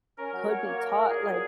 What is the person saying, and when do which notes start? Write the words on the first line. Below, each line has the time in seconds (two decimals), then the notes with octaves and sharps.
could be taught, like,
0.18 C#4 A#4
0.33 F#3
0.48 F#3 C#5
0.64 A#3
0.79 A#3 A#4
0.94 A#2
1.09 A#2 G#4
1.25 F#3